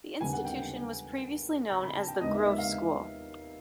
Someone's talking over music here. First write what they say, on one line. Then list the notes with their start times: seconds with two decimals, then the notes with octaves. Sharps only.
The institution was previously known as the Grove School.
0.20 D#2 D3 G3 B3 G#5
0.33 F#5
0.45 G5
0.58 G5
1.70 A#5
1.83 B5
1.95 A5
2.08 G5
2.21 D#2 D#3 G#3 B3 D4 D#5
2.33 E5
2.45 E5
2.58 F5
2.71 E5